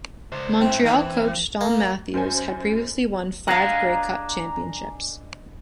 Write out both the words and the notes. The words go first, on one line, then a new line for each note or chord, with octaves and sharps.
Montreal Coach Don Matthews had previously won five Grey Cup championships.
C#2 C5
G#2 C4 E4
D#3 E3
C4
A#3
F#2 C5 G#5
D4 G#4 D#5 F5 F#5 A#5